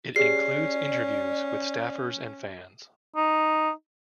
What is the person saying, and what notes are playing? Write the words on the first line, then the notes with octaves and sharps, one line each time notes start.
It includes interviews with staffers and fans.
C#4 G4 G#4 D5 C7
D#4